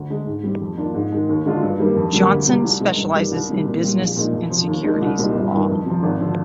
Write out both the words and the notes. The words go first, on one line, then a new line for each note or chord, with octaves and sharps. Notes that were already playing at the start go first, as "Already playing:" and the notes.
Johnson specializes in Business and Securities law.
Already playing: D2
D3 G#3
G#2
G3 C4
F2
D#3 A#3 D4 F4
G#2
D#3 G#3
D#2
D3 G#3 D4 F4
G2
D#3 G3 A#3
F2
D3 G3 A#3
D2
C3 G3 C4
C2
C3 D#3 G#3 C4
G2
D#3 G3
C2
C3 D#3 G3 C4
A#2
G3 C4 F4
A#1
A#2 G#3 D#4
F2
C3 F3 C4
D#2
D#3 G#3 D4
C2
A#2 G3 C4 D#4
G1
G2 D#3
F2
C3 F3
G#1
D3 F3